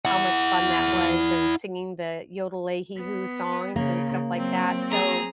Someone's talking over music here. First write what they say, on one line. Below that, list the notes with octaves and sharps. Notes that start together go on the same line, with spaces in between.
how much fun that was, and singing the, yodel-ay-hee-hoo songs, and stuff like that, so,
E4 F#5
B3
C#3 A#3
F#3 C4
G#4 A#5